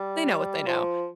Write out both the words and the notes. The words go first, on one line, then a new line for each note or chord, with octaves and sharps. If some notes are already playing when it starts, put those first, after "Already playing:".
they know what they know,
Already playing: G3
F3